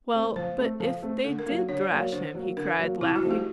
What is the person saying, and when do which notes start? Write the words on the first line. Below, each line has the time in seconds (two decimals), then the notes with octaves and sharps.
"Well, but if they did thrash him!" he cried, laughing.
0.14 A3 C4
0.36 F3 C5
0.58 A3 C4
0.80 F3 A4
1.03 A3 C4
1.24 D3 A4
1.39 A#4
1.46 F#3 A#3
1.68 D3 C#5
1.81 D5
1.91 F#3 A#3 C#5
2.12 D3 C5
2.35 F#3 A#3
2.57 D3 A#4
2.79 F#3 A#3
3.01 C3 E4
3.16 F#4
3.23 F3 A3 C4 D#4
3.31 G4